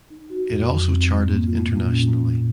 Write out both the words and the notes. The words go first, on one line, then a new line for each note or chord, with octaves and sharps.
It also charted internationally.
D#4
F#4
F2
F#3
C4
G#2
A#3
F4
A#2
C#4
A#2
A#2